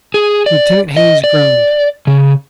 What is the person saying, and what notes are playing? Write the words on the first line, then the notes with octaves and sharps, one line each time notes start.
Lieutenant Haines groaned.
G#4
D5
D#5
D5
C#3